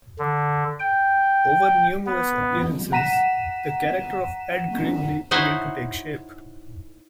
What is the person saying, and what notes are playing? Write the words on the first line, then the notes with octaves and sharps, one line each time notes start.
Over numerous appearances, the character of Ed Grimley began to take shape.
D3
G5
B3
F#5 A#5 B6 D#7 E7
D#4 E4 F#4 C5 C#5